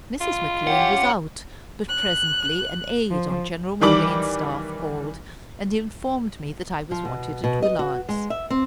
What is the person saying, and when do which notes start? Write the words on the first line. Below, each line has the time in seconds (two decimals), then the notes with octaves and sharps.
Mrs. McClean was out, but presently an aide on General McClean's staff called, and informed me that I was wanted at Willard's.
0.21 F4
0.67 C#4 G4 F#5
1.88 F#6
3.10 F3
3.81 D#3 E3 G3 D6 F#7
6.91 F3
7.05 B2
7.44 B2
7.63 D#5
7.79 F#4
8.09 G#3
8.30 E5
8.50 C4